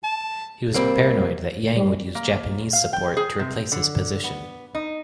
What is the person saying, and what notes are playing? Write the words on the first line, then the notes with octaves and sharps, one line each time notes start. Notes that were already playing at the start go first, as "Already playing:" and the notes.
He was paranoid that Yang would use Japanese support to replace his position.
A5
C2 G3 A#3 C4
G3
A#3
F5
G5
G#4
C3
D3
B3
D#4